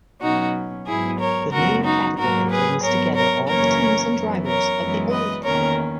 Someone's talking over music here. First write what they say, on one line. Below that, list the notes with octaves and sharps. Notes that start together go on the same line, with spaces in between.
The new category brings together all the teams and drivers of the old category.
B2 F#3 C#4 D#4 F#4
G#2 F#3 B3 E4 G#4
A#4 C#5
F#2 C#3 G#3 B3 F#4 A#4
D#4 F#4
G#2 F#3 A#3 F#4 A#4
G#4 B4
G#2 F#3 B3 A#4 C#5
A#4 C#5
F#2 C#3 E3 A#3 C#4 A#4 C#5
F#2 E3 B3
A#4 C#5
F#2 E3 G#3 B3
B4 D#5
E2 D#3 A#3 C#4 A#4 C#5